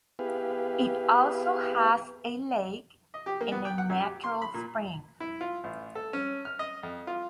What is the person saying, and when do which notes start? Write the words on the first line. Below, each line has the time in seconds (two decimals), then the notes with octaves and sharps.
It also has a lake and a natural spring.
0.19 B3 E4 G4 G#4 B4 F5
3.14 D#5
3.26 G4
3.41 A#3
3.52 B3
3.65 G5
3.78 F#5
3.89 F#2
4.01 G4
4.24 C6
4.42 B5
4.54 A#2
5.20 E4
5.41 F4
5.64 A1
5.95 A4
6.13 C#4
6.45 F6
6.59 D#5
6.83 F2
7.07 F4